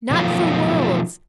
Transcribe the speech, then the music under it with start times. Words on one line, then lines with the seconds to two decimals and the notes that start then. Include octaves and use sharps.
'Not for worlds!
0.11 B2 D#3 F3 F#3 A3 F4